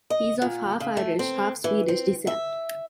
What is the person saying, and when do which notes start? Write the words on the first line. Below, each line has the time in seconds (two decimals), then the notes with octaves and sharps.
He is of half-Irish, half-Swedish descent.
0.10 D#5
0.42 A#2
0.80 C#3
0.97 A3
1.19 C4
1.64 E3
1.88 C4
2.27 E5